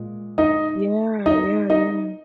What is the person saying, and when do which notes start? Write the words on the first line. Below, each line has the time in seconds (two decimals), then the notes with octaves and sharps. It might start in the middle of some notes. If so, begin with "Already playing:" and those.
Yeah, yeah, yeah.
Already playing: A#2 G#3
0.38 D#4 D#5
1.26 D#4 D#5
1.70 D#4 D#5